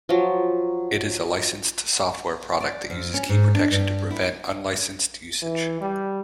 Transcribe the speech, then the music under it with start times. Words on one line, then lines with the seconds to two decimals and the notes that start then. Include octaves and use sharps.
It is a licensed software product that uses key protection to prevent unlicensed usage.
0.09 F3 F#3
2.60 D5
2.90 F2
3.14 C#4
3.29 G#2
3.55 D4
3.71 G2
4.11 E4
5.42 E3
5.81 G3